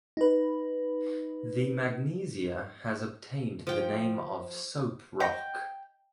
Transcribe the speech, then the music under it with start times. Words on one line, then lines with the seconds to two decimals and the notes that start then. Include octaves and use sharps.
The magnesia has obtained the name of soap-rock.
0.17 D#4 B4
3.67 F3 G5
5.20 D#5 F#5 G5 A#6